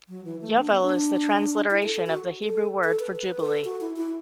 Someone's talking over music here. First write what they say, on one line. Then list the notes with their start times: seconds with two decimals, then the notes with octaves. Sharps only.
Yovel is the transliteration of the Hebrew word for Jubilee.
0.09 F#3
0.25 E3
0.41 A3
0.57 D4
0.70 B3
0.82 D4
1.70 E4
1.83 A4
1.95 A4
2.06 F#4
2.43 A4
2.84 A4
3.00 B4
3.17 B4
3.40 A4
3.65 F#4
3.81 E4
3.96 E4